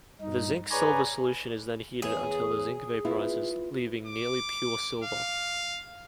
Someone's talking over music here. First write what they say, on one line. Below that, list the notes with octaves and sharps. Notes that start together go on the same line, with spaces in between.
The zinc-silver solution is then heated until the zinc vaporizes, leaving nearly pure silver.
G2 D#4
G#4 B4 C#5 D5 G#5 A#5
E2 G#4 C#5
B3 E4 F4
D6
F5